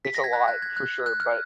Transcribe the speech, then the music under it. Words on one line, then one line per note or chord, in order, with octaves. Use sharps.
it's a lot, for sure, but
B6
A#6
G#6
F#6
F#6
G#6
F#6
F#6
F6